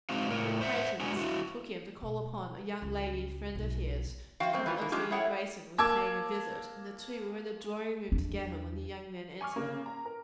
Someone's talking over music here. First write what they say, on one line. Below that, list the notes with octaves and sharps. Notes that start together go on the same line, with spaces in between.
An acquaintance took him to call upon a young lady friend of his, to whom Elsie Grayson was paying a visit, and the two were in the drawing-room together when the young men entered.
G#3 C4 D#4 F#4 F5
A2 A#4
C5 E5 F#5
G#3 D4 F#4 F#5 G#5
F#3 E4 F#4
B2
C#2
B1
F3 F#4 F5 G5
F#2 A#3 C4
E3 F#3 A#3 F4 B4
B2 D#3 A#3
F3 G#3 C#4 F4 G4
A3 E4 G#4 C#5 F#5 G5
A#3 A5 D6 E6 G#6
E2 D4
G#5 C#6 D6 F6
C#3 A#3
A#5
A#4